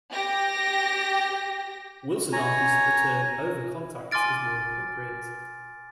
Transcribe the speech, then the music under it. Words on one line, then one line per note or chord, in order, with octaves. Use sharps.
Wilson argues that the term "overcontact" is more appropriate.
G4 A#6
C#5 G#5 A#5
G#5 C6 D6 F6 A6 D7